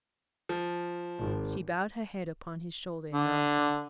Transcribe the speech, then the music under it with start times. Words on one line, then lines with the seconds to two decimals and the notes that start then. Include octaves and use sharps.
She bowed her head upon his shoulder in answer.
0.49 F3
1.19 G#1
3.13 D3